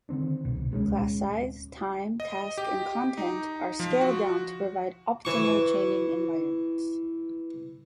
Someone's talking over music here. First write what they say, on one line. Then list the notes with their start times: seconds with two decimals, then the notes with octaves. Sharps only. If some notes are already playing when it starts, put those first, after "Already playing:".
Class size, time, task, and content are scaled down to provide optimal training environments.
0.09 D3 D#3 C4 D4
0.45 C2 B2
0.71 D1 G#3 C4 C#4
2.20 D#5
2.58 G4
3.17 D#4
3.80 F3
4.01 F#4
5.25 E3 C#6